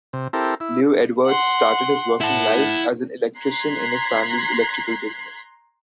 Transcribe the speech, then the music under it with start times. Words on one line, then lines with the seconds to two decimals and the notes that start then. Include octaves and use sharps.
Llew Edwards started his working life as an electrician in his family's electrical business.
0.13 C3
0.33 C4 E4 G4 A4 A#4
0.60 E4
1.26 F#5 C6
2.21 E4 F#5 A5
3.38 A#5 C6 F#6 G#6 B6 C7